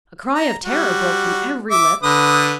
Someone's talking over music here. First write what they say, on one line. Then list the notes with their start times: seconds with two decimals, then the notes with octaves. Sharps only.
A cry of terror broke from every lip.
0.34 A#5
0.65 G3 F#4
1.71 E5 D6
2.03 D3 B4 D#6